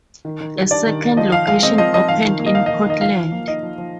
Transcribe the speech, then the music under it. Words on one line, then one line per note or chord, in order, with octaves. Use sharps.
A second location opened in Portland.
D#3
D#3
G3
D4 D5
D#3
D#3
F3 D#5
F3 F5
G#3 F5
C4 D#5
F3 D#5
F3 D#5
D#3 F5
D#3
A#3
D#5
D#4 F5
D#5
D#3
D#3 D#5
F3 F5
F3
A#3
D#4 D#5
F3
F3